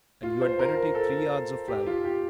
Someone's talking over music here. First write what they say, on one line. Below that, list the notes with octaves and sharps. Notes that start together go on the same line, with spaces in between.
And you had better take three yards of flannel.
F4
C5
A#4
A#4
A4
G4
F4
G4